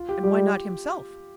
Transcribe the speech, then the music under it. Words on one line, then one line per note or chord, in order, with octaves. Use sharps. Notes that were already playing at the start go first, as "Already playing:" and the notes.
"And why not himself?"
Already playing: F4
G4
G3 G4